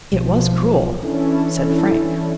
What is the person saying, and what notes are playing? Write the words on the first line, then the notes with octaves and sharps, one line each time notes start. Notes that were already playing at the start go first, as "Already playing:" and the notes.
"It was cruel," said Frank.
B1 B2 F3
E3 C#4 D4 E4 A4